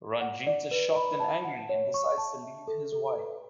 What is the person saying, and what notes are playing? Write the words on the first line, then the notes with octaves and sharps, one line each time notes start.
Ranjeet is shocked and angry, and decides to leave his wife.
F#5
D5
B4
B5
A5
F#5
C#5
C#6
A5
E5
A4
A4
B4